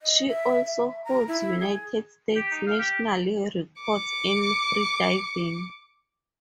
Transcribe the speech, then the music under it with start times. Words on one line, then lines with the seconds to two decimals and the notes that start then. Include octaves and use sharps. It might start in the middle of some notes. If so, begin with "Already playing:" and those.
She also holds United States national records in freediving.
0.02 D#5
0.28 E5
0.65 E5
1.04 A#5
1.28 E4
1.59 G#4
2.36 G4
2.51 D#4
2.66 F5
2.79 G4
3.82 D6 C#7